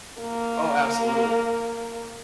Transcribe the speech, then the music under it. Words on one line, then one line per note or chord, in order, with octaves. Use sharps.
Oh, absolutely.
A#3 A#4